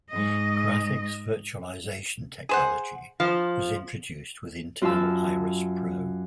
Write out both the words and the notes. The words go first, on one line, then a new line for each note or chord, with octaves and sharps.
Graphics Virtualization Technology was introduced with Intel Iris Pro.
G#2 D#5
G#4 C5 F#5
F3 F5
F#2 F4 F5 A5 E6